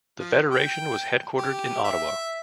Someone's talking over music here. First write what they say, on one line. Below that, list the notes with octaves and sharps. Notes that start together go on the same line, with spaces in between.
The Federation was headquartered in Ottawa.
F3
G5
G4
E5